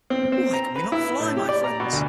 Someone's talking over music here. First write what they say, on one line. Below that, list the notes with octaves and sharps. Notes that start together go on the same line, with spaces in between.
Why can we not fly, my friends?
C4
C4
A#5
B4
E4
A2
G4
D5
A#5
B2
D2